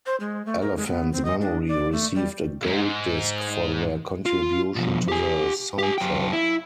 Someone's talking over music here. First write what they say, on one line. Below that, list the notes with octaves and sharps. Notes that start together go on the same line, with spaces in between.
Elephant's Memory received a gold disc for their contribution to the soundtrack.
C5
G#3
A3
A#4
G#3
B3
C4
D#5
D4
D5
A3
G3
E2 G#2
F4
B2 F3
G4 G#5
G4 G#5
F#2 G5
E4